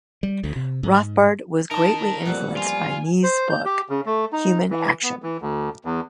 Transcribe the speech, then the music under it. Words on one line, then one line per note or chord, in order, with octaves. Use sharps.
Rothbard was greatly influenced by Mises' book, "Human Action".
G3
D2
C3
G#2
D#4 A#4 D#5 A5
A1 F2 A#2 G3 F#5
F4 G#5
C5
G6
G4
C#3
A3
D#4
E3
B3
E3
D2
E2